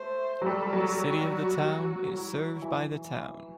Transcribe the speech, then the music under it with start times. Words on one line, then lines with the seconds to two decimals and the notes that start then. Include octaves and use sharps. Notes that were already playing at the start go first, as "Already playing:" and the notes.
The city of the town is served by the town.
Already playing: A3 C5
0.41 F#3
0.46 G3 A4
0.63 G3
0.73 F#3
1.00 F#4
2.08 F#3 E4
2.62 E3